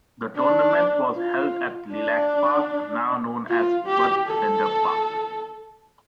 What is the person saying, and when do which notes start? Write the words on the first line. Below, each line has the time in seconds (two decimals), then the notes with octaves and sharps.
The Tournament was held at Lilac Park, now known as Bud Bender Park.
0.36 D4
1.14 F4
1.92 D4
3.48 F4
3.87 G4
4.26 A4